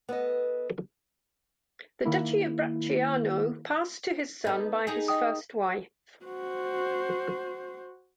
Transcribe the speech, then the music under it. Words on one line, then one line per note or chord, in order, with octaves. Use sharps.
The duchy of Bracciano passed to his son by his first wife.
B3 A4 B4 D#5
D#3 A#3 E4
B3 D#4 A4
D#4 G4 G#4
D#5 G5 D#6
F#4 C5